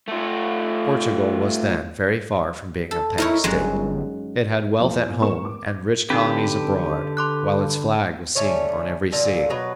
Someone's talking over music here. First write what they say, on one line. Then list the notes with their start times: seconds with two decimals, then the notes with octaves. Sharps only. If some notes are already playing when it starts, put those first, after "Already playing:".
Portugal was then very far from being a petty state. It had wealth at home and rich colonies abroad, while its flag was seen on every sea.
0.08 A3 F4
2.91 A4
3.18 D#4 E4 A#4 C#5
3.44 G1 F#2 F#3 G#3
4.79 E2 F3 A#3
5.20 A2 C3 B3 A#4 C#6 E7
5.45 D6
6.10 D3 C4 D#4 G4 A4 B4
7.17 C6 D6 F#6
8.35 D3 A3 C#4 C#5
9.12 A#2 D3 A#3 A4
9.50 B2 F#3 B4